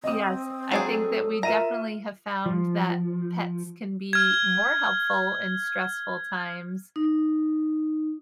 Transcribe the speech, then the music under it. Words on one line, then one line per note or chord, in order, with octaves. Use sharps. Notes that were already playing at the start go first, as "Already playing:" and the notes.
yes, I think that we definitely have found that pets can be more helpful in stressful times
C4 D#5 D#6
F#3 G#3 D4 G#4
A4
F4 A#4 E5 A#5 D#7 E7
F3
F6 G#6
D#4